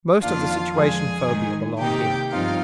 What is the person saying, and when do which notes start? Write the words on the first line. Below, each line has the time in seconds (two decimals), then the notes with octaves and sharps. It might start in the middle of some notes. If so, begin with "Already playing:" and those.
Most of the situation-phobia belong here.
0.22 F2 D#3 A#3 D4 F4 F5
0.74 F2 D3 F3 G#3 G#4 G#5
1.27 G#2 D#3 G#3 D#4
1.79 C3 D#3 A#3 D#4 G4 G5
2.31 G2 F3 C4 D#4 F4 F5